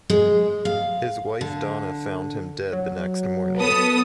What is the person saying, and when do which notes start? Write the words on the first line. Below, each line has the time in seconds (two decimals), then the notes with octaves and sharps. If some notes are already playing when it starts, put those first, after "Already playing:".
His wife Donna found him dead the next morning.
0.10 G#3
0.65 F5
1.41 D3
2.73 F#3
3.56 B3 A4 D#6